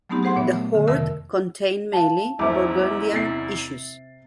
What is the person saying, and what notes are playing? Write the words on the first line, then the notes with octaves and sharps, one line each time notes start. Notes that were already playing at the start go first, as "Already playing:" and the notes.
The hoard contained mainly Burgundian issues.
F#3 A3 B3 C4 D#4 G4
G4 G#4 C5 F#5 C6
A#2 B3 C#5 E5
A3
D3
F2 C3 D#3 A#4 E5 E6
F5 A5
F#1 E2 G#2 E4 C5 E5 D6
C3 A6 C7